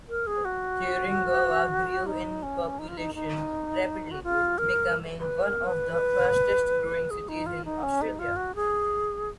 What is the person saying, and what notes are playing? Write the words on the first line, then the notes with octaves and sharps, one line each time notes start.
Thuringowa grew in population rapidly, becoming one of the fastest growing cities in Australia.
A#4
G#4
F#4
D#4
C#4
D#4
F4
D#4
D#4
F#4
F4
A#4
B4
A#4
B4
G#4
D#4
F4
D#4
C#4
D#4
F4
F#4
G#4